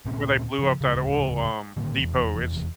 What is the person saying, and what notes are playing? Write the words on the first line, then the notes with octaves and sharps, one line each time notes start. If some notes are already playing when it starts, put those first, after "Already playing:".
where they blew up that oil, um, depot. It's
D2 A#2 C4 C#4
C#3 F3
D1 C#3
A2 D3 D#3 A#3
F1 E2